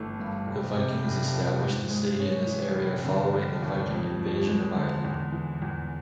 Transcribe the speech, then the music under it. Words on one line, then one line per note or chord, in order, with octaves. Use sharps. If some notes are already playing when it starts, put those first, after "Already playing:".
The Vikings established the city in this area following the Viking Invasion of Ireland.
Already playing: G1 E3 A3
G2
F1
C3
F1
F2
G#2
G#3
C#4
E3
F1
D3
F1
D#2
F2
F3
G#3
D3
E2
E3
E2